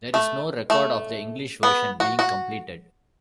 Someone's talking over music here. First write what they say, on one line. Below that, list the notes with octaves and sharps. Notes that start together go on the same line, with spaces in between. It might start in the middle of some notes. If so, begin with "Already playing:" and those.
There is no record of the English version being completed.
A3
A3
B3
F#4
F#4